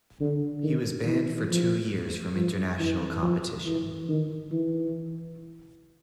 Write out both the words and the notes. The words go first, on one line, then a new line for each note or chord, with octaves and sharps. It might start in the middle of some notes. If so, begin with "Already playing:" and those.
He was banned for two years from international competition.
D3
D#3
E3
F3
F3
E3
F3
E3
D#3
E3